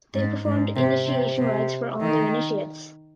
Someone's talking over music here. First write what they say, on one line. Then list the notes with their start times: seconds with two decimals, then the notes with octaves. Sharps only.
They performed initiation rites for all new initiates.
0.14 G#2
0.45 G#2
0.76 C3
1.06 C3
1.38 C3
2.01 D#3